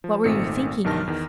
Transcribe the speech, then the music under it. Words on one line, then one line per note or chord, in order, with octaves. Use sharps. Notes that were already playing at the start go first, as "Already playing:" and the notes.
"What were you thinking of?"
F3
G#1 A#2 A3 C4 D#4 C#7
B1 G2 D#3 A5 F6 A#6
E2 D#3